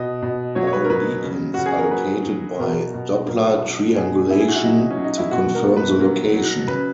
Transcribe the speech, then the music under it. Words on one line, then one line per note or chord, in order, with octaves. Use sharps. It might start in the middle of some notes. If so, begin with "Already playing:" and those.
All beacons are located by doppler triangulation to confirm the location.
Already playing: B2 D#5
B2
F#3 C#5
C#5
B4
A#4
F#3 B4
C#3
C#3 F#4
G#4
A#4
F#3 B4
F#3
B2 A#4
B2
F#3 A#4
F#3
B2 G#4
B2 E4
G#4
F#4
E4
F#3 D#4
C#4
F#3
D#4
E4
B2 F#4
A#4
B2
B4
F#3 A#4
F#3
C#3 B4